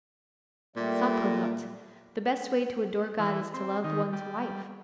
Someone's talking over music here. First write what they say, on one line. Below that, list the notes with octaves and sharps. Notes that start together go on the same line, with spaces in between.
Saperlotte! the best way to adore God is to love one's wife.
A#2 G3 A3
E3
C4
D#3
G3